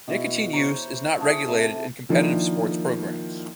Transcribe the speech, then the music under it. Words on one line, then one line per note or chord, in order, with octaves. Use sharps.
Nicotine use is not regulated in competitive sports programs.
B2 E3
C5 C#5 A#5
E4 G#4 A5
C3 A4
D#3 F3 A#3 D4 E4